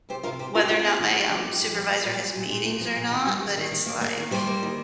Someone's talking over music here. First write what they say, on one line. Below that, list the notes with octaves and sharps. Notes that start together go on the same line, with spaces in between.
whether or not my, um, supervisor has meetings or not, but it's like
C3 G4 C5
C3 F4 A#4
C3 G4 C5
C3 F4 A#4
G4
A#3 C4 F4
A#3
D#3
D#3
F3 D#4 G4
A#2
A#2
F3
A#3
A#2
A#2
A#2
A#2
A#2
F3
A#2
D#3
G3
A#3
D#3
D#3
A#3
A#3
D#3
G3 G4 C5
A#3
D#3